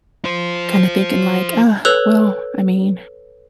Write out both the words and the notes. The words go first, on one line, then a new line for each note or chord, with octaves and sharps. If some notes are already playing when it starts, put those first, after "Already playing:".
kinda thinking like, "Uh, well," I mean,
F4 C5
A4 B4 C#5 E6 F#6 F7